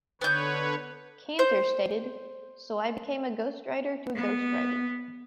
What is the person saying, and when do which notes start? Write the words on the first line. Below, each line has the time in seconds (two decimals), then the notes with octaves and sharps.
Kanter stated, So I became a ghostwriter to a ghostwriter.
0.21 D3 B3 B4 C#5 G6
1.39 C5 G6
4.15 B3